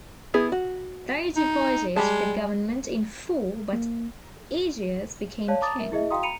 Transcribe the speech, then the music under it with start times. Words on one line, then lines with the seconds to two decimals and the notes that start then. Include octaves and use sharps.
They divided the government in four but Aegeas became king.
0.34 B3 E4 G#4
0.52 F#4
1.36 D#4
1.96 G3 G#3 A5
3.73 A#3
5.48 C#5 D5 F5 A5
5.61 A5 A#5 D6 D#6 A6
5.79 A#4 E5
5.92 E4 G#4 D#5 E5
6.11 F#4 F5 G5 A#5 C6 D#6
6.23 A#5 B5 C#7 D#7 F7